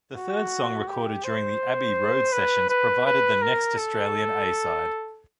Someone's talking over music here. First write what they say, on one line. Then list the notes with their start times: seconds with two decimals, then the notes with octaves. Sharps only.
The third song recorded during the Abbey Road sessions provided the next Australian A-side.
0.16 F#4
0.87 G4
1.24 C5
2.32 B4
2.70 B4
3.06 B4
3.42 A#4
3.78 A4